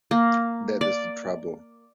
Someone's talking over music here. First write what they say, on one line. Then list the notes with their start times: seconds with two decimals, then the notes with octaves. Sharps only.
That is the trouble.
0.11 A#3
0.81 D5